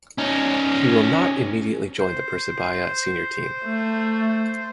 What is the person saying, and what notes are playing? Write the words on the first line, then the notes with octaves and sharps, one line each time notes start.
He will not immediately join the Persebaya senior team.
C#4 D#4
C5
A3